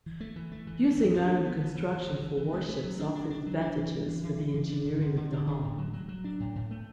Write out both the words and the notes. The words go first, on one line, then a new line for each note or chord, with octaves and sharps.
Using iron construction for warships offered advantages for the engineering of the hull.
E3
A3
E3
A3
E3
A3
E3
D4
E3
B3
E3
E3
E3
E3
E3
E3
A3
A3
F#3
D4
D4
D4
F#3
D4
E3
D4
E3
E3
E3
E3
D4
D3
D3
D3
D4
D3
A2
F#3
F#3
F#3
D4
A2
A2
A3